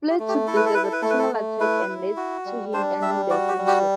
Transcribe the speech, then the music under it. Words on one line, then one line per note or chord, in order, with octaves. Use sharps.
Flair took this as a personal attack and lead to him ending their friendship.
G4
A3
G4
E4 A4
B4
A4
E4 B4
A4
B4
A3 A4
B4
A4
A3
E4 B4
E4
F#4
G3
D4 C5
G3 E5
F#4 D5
G4
G3
G4